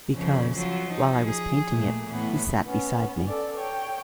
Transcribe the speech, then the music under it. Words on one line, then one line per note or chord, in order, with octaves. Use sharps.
Because, while I was painting it, he sat beside me.
F2 C#3 F3
F3 F#3 F4
F3 D#4
G#4
A#2 A3
E2 A2 B3
B3 C#4
A4 D5
C#5 G5